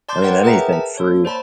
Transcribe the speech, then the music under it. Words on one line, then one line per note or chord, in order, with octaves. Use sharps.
I mean, anything free.
D5 A5 C6 D6 G6 A6
A#4 B4 C#5 F#5 G5
G#4 A#4 B4 E5 G5 A#5
A5
A#3 C#5
C5 D5 A5 B5